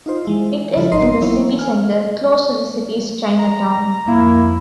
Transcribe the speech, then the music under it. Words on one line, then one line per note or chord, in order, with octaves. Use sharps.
It is in the city centre, close to the city's Chinatown.
D#4 F4 C5
E3 G#3 E4
C#3 F3 G3 E4 F4 A4
G#1 D#4 A#4 D#5 C6 C7
E3 F#3 A#3 B3 E4 C#5
G#5 F6
A#5
F2 A#3 E4